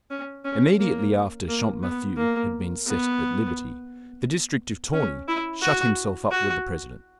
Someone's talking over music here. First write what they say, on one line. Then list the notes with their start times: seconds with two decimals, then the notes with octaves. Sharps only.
Immediately after Champmathieu had been set at liberty, the district-attorney shut himself up with the President.
0.11 C#4
0.45 C#4
0.79 A#3
1.48 A#3
1.83 B3
2.17 A#3
2.86 B3
4.93 C#4
5.28 E4
5.62 F#4
6.31 F#4